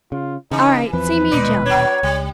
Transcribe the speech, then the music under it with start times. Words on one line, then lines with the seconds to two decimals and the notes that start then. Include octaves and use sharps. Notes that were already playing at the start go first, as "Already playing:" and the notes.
All right, see me jump.
0.12 C#3 F4
0.51 C#3 E3 D#4
0.93 E2 F3 C4 B4
1.31 D#1 B2 G#3 D#4 D5
1.66 F#3 D4 C#5
2.03 C#2 G3